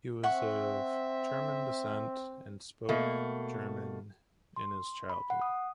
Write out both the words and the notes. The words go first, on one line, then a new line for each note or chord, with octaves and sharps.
He was of German descent and spoke German in his childhood.
C4 E5 F#5 C#6
B2 A3 A#3
C6
B5
F#5
D#6